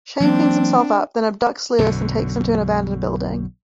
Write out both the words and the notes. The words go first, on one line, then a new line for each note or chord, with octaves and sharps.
Shame cleans himself up, then abducts Luis and takes him to an abandoned building.
E3 F#3 A#3 C4 D4
B1 F#2 D3